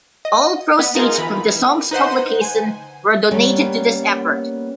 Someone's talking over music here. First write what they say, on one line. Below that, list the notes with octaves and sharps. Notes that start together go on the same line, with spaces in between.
All proceeds from the song's publication were donated to this effort.
D#5
B3
D#4 F4 G#4 A#4
E3 B5
D#4 B4 C5 F#5
G#5
G3 A#3 B3 C#4